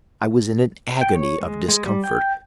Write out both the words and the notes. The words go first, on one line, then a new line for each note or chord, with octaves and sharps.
'I was in an agony of discomfort.
G5
C#5
G#3
G#3
G3
G5